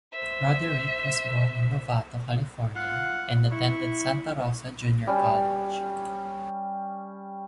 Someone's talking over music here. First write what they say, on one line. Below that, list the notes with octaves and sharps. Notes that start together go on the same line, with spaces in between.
Roderick was born in Novato, California, and attended Santa Rosa Junior College.
C5 E5
F4 F5 F#5
E4 C#6
G3 C#4